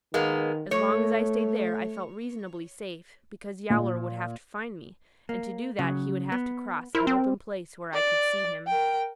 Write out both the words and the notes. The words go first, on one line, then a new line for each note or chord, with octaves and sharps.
As long as I stayed there I felt reasonably safe, because Yowler would have to find me, and to do that he would have to cross an open place where I could see him.
D#3 G#3 A#3 B3
A3 C#5
A#2
A#3
C#3 F#3
B3
E4 A#4 C5
C4
D5
A#4 G5